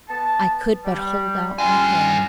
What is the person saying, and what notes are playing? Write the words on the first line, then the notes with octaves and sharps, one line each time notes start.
I could but hold out my hand.
B3 A5
G3
G2 G3 C#4 F4 G#5